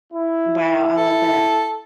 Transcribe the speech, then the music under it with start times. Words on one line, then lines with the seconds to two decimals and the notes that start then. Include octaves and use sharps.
wow, I love that.
0.13 E4
0.97 A4